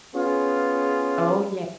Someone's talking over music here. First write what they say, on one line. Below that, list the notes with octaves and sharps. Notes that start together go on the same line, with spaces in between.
Oh, ye
B3 C#4 F4 G#4